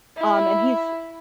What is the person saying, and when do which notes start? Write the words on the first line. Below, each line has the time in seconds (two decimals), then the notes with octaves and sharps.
um, and he's
0.17 E4